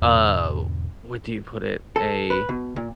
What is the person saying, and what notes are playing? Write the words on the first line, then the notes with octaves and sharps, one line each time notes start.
uh, what do you put it? A
E2 G#2 B2 D3
A4
B4
B2
A#2